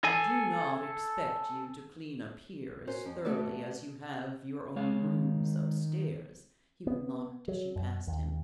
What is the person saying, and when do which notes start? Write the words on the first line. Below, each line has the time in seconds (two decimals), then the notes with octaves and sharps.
"I do not expect you to clean up here as thoroughly as you have your own rooms up stairs," he remarked, as she passed him.
0.04 A4 G#5
2.87 C#4 F#4 A#4 C5
3.05 F2
3.25 A3 B3 F#4 A4 B4 D5
4.76 G#3 C#5 F5
5.01 D#3
6.87 B3
7.48 F#3
7.76 F#2
8.07 D#2